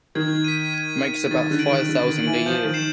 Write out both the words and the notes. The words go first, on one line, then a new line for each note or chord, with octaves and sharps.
Makes about five thousand a year.
D#3 G#6
B6 D#7
G#6
B6 D#7
D#3 A6
D3
D7 F#7
D#3
D3 A6
D#3
D7 F#7
E3
F3 G6
D#3
C7 E7